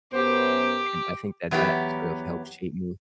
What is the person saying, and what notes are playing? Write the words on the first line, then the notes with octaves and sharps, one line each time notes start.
and I think that that sort of helped shape me in
F#2 B3 G4 C5
E2 F#3 B3 E4 G4